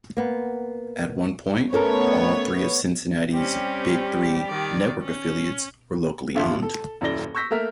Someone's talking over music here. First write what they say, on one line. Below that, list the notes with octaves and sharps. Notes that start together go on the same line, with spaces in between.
At one point, all three of Cincinnati's "Big Three" network affiliates were locally owned.
A#3 B3
A3 B3 C#4 A4 A#4 C#5
G3 C4 C#4 G4
D#3 D5
C#4
G#1 D3 F4 E5 A5 C6
A4
D#1 F#2 E4 D5 A#6 G7
C#6 E6 G6 A#6 B6
A3 A#3 A#4 E5 F6 B6